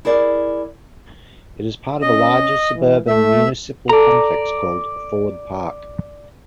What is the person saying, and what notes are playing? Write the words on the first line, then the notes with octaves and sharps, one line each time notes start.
It is part of a larger suburban municipal complex called Ford Park.
E4 G#4 A#4 D5
C#4 D#5
E3
A3 E5
A4 D5 A5 A#5